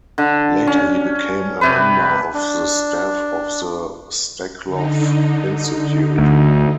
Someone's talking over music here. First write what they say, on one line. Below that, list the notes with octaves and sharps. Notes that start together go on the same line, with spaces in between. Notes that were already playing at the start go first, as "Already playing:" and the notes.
Later he became a member of the staff of the Steklov Institute.
D3
C#4
C3 B4
D4
D3 D#4
D2